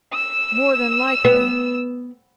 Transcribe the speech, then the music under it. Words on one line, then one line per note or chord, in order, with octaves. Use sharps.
"More than likely."
E6 E7
B3